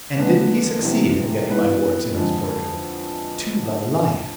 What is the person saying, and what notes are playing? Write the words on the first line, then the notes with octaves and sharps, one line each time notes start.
And didn't he succeed in getting my warts in his portrait--to the life.
E2 D3 G#3 B3
C2 C3 E3
E3 B3 E4 B4
F2 D3 G#3